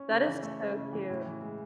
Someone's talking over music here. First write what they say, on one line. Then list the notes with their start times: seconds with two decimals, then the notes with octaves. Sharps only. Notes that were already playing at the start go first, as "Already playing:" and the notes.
That is so cute.
Already playing: C#4
0.10 C#3
0.27 E3
0.43 A3
0.60 C#4
0.77 C#3
0.93 E3
1.10 A2
1.26 E3
1.42 G#3